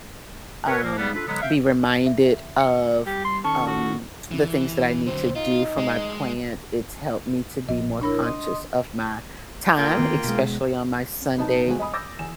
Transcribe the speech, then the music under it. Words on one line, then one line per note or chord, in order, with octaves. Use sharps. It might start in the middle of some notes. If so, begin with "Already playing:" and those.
um, be reminded of, um, the things that I need to do for my plant, it's helped me to be more conscious of my time, especially on my Sunday
A#4 B4 C#5
F3 A#3
C#3 G3 B3
D4 F4 A4 B4
D3 F#3 G#3 B3
E5 F5 G5
E5
C#7
G3 G4
C6
D#3 C#4 A4 A5 C#6
F#4
E3
D3 F#3 C4
D#4 F4
G#3
A#1 D#5
D4 E4 A#4 C#5 B5
D#5 C6 D#6
A#3 F4 G5
D2 D#3 B3
B2 G#3
F#1 B3 D#4 A5
D#1 B1 G#3 F4 F#4 G#5
D#5 G#5 B5 D#6
D6 E6 G6 A6 A#6
E2 G#5 E7